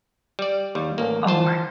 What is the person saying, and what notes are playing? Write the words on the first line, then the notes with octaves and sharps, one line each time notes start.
Oh my
G3 D5
D#2 G3
A1 A#3
F4 C5 A5